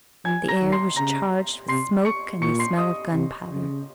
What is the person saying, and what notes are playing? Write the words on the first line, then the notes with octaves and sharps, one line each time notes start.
The air was charged with smoke and the smell of gunpowder.
F3 G#5 G#6
A#5 A#6
D#3
C6 C7
C#3 A#5 A#6
C3 C6 C7
C#6 C#7
A#2 C#6 C#7
C6 C7
D#5 D#6
C3
C#3